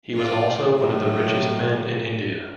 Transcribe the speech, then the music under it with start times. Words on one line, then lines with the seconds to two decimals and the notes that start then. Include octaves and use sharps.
He was also one of the richest men in India.
0.14 A2 F4 D5
0.77 A2 D#3 F#3